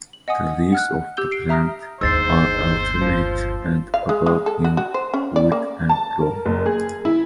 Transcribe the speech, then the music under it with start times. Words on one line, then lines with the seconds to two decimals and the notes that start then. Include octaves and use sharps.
The leaves of the plant are alternate and about in width and long.
0.13 F#7
0.28 D#5 F#5 G#5 D#6
0.72 F#5 F6 F#6
1.17 G4 E6 G6 G7
1.31 C7 D7
1.49 E5 A#5 D#6 F6 A#6
2.01 G1 D#2 G#2 C5 E6 A6 C7
3.01 F3
3.94 F5
4.09 G#3
4.26 G#3
4.46 A4
4.65 F#4
4.77 F#4
4.94 C5
5.14 C#4
5.36 D5
5.52 A#3
5.89 A5
6.21 A#4
6.46 F#1
6.66 G#4
7.05 E4